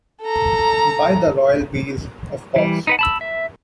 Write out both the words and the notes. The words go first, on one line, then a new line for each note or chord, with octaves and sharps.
By the royal bees, of course.
A4 A#5
E3 G3
D#4 B4 F#5
A5 B5 E6
E5